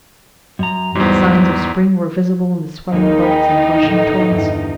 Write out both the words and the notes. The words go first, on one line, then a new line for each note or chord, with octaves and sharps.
Signs of spring were visible in the swelling buds and rushing torrents.
F#2 A#5
E2 G#2 F#3 G3 C5
D#2 G#3 D#4
G5 G#5 B5
A1 D3
E2 G2